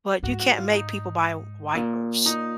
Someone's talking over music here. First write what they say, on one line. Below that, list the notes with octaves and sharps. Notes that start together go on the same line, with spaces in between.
but you can't make people buy wipers.
G#2 F#4
F#4
F4
D#4
A#2
D#4